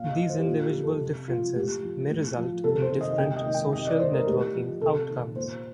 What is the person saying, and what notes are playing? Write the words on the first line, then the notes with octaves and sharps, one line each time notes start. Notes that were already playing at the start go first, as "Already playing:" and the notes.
These individual differences may result in different social networking outcomes.
Already playing: A#2 F5
D#5
F3
C5
G4
A#2 F4
G4
F3
A4
C3
F3 F4
A2 G4
F3
A2
F3
C3 A4
C5
D#3
D#5
C3 G5
D#5
D#3
G5
C3 D#5
D5
D#3 C5
A#4
A2 G4
F3
C3 A4
D#3
A#2 C5